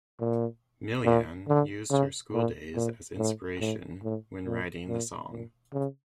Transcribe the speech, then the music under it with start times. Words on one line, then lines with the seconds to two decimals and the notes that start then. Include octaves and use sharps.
Milian used her school days as inspiration when writing the song.
0.20 A#2
1.05 A#2
1.48 D3
1.90 C#3
2.33 A#2
2.76 A#2
3.18 A2
3.60 A2
4.03 A2
4.46 A#2
4.88 A#2
5.30 A#2
5.73 C#3